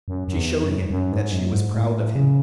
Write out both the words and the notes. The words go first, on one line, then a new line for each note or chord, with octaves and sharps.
She showed him that she was proud of him.
F#2
F#2
E2
F#2
F#2
G#2
F#2
G#2
A2
C#3